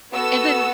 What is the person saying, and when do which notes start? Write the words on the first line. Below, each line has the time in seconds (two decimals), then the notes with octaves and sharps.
and then,
0.12 B3 F#4 A4 E6